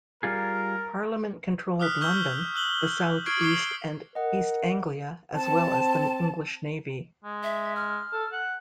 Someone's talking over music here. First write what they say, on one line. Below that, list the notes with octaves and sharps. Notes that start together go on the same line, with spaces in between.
Parliament controlled London, the south-east and East Anglia, as well as the English navy.
G3 F4 G#4 A#4
D6 D#6 F6 F#6 B6
C#6 E6 F6 G6 G7
E6 F#6 F#7 G7
C#6 D#6 F6 G#6 C7 D7
C#6 D6 C7 C#7 G7
A#4 D#5 F#5
C4 A5
G#3
E5
F6
A4
F#5